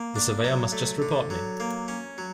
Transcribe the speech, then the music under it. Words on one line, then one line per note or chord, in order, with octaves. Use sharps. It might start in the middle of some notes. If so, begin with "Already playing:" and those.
The Surveyor must just report me.
Already playing: A#3
D4
F#3
A3
D3
F#3
A#3
C#4
F#3